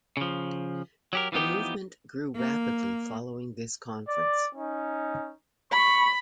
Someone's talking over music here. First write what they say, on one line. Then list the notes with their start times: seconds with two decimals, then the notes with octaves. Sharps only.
The movement grew rapidly following this conference.
0.17 C#3 F3
1.13 F#3 G4 A#4
1.32 E3 F3 B3 D#4 G4
2.36 A#3
4.08 D5
4.54 C#4 D#4
5.72 B5 C#6